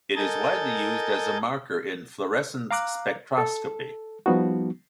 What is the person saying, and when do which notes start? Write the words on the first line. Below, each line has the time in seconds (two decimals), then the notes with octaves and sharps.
It is widely used as a marker in fluorescence spectroscopy.
0.16 A4 A#4 D#5 G#5 G6 A6
2.71 F5 A#5 D6 F#6
3.38 A4
4.26 F3 G3 B3 D#4 F#4